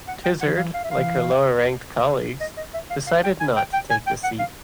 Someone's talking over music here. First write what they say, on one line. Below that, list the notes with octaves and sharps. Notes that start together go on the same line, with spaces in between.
Tizard, like her lower-ranked colleagues, decided not to take the seat.
F#5
G5
F#5
F5
F5
E5
F5
D#5
D#5
E5
F5
F5
G5
G#5
G5
G5
G#5
G5
F#5
F5